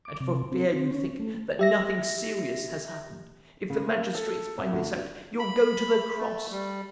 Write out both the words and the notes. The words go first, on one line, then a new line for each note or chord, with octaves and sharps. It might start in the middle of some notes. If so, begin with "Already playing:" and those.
And for fear you think that nothing serious has happened, if the magistrates find this out you'll go to the cross!
D6
C3
C4
C4
C#4
A3
G4 E5 A#6
C#3
A#3
A4
C2
D2
B5
A3
G3